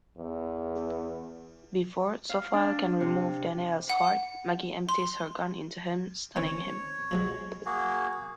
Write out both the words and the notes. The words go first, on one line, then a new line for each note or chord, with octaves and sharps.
Before Zophael can remove Danyael's heart, Maggie empties her gun into him, stunning him.
E2
F5
D4
C3
F#5
C6
D#3 C4 C#4 C#5
F3 F#3 G#3
A#3 F#4 G#4